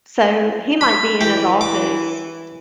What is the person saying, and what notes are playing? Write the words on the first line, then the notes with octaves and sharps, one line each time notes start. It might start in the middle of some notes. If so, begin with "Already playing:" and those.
so he might be in his office
B5
E3 G4
D6